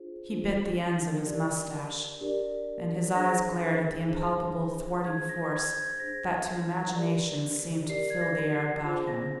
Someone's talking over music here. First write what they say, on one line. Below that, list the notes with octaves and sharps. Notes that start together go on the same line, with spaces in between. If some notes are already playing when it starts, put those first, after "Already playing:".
He bit the ends of his moustache, and his eyes glared at the impalpable thwarting force that to imagination seemed to fill the air about him.
Already playing: D4 F4 G#4 C5
D4 F4 G#4 C5
D4 G4 A#4 D5
D4 G4 A#4 D5
D4 G#4 C5 A#6
D4 G#4 C5
D4 G#4 C5 G#6
A#6
G#6
G6
G#6
D4 G#4 C5 A#6
G4 A#4 D5
G4 A#4 D5 C7
G#6
A#6
C7
F4 G#4 C5
A#6